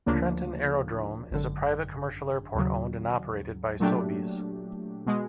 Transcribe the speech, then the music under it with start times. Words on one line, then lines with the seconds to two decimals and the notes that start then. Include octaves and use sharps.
Trenton Aerodrome is a private commercial airport owned and operated by Sobeys.
0.06 D2 C#3 F3 A#3 D4
1.31 G#1 F#2 D3
2.55 D#2 C#3 F#3
3.80 A#2 F#3 A3 D4 G4
5.06 B2 G#3